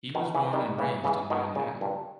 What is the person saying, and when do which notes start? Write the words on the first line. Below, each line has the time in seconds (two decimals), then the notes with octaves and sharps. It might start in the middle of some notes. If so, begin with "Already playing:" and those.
He was born and raised in Manhattan.
0.15 B2 D#3
0.35 C#3 E3
0.53 D#3 G3
0.79 C#3 E3
1.04 C#3 E3
1.30 B2 D#3
1.55 A#2 C#3
1.81 G2 A#2